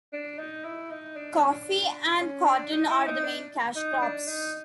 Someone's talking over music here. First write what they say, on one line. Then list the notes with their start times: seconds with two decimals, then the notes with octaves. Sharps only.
Coffee and cotton are the main cash crops.
0.13 D4
0.39 D#4
0.64 E4
0.91 D#4
1.16 D4
1.34 C#4
1.51 D4
2.20 C#4
2.46 D4
2.72 D#4
2.90 E4
3.07 D#4
3.24 D4
3.76 D#4
4.02 D4
4.28 D#4